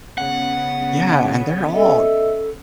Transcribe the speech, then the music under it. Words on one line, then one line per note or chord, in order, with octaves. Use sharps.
Yeah, and they're all
C#3 B3 F#5
A4 D#5 E5